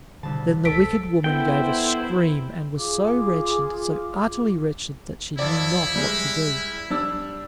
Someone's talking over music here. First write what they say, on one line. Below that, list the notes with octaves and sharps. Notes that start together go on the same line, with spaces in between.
Then the wicked woman gave a scream, and was so wretched, so utterly wretched, that she knew not what to do.
C2 B2 D3 A5
C#2 A4 B6 D7
B3 E4 A4 C5 G5
F4 G#4 F5 D6
F2 E4 D5
G3 G#3
G3 D4 E6